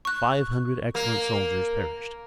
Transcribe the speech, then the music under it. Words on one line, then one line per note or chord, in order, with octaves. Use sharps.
Five hundred excellent soldiers perished.
C#6 F#6
A#3 A#4